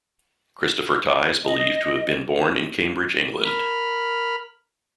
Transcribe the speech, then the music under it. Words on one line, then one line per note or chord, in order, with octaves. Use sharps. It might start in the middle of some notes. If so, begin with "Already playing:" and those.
Christopher Tye is believed to have been born in Cambridge, England.
D#5
A#4 B5 F6